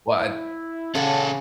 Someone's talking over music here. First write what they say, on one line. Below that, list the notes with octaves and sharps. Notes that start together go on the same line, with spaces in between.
Well, I
E4
C#3 C#4 A4 D5 F#5 A5 B5